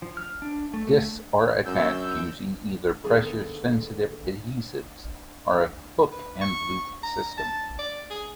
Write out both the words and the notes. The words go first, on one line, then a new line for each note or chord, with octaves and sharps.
Disks are attached using either pressure-sensitive adhesives or a hook and loop system.
F3
F6
D4
A3
A3
F#2 E6 G6
D#3 F3 B3 G#4 A4
B4
C#6
A#5
A5
D5
G#4